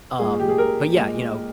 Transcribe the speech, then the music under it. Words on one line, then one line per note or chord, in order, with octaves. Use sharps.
Um, but yeah, you know,
A#2 G#3 G#4
G4
G#4
A#4
A#2 G#3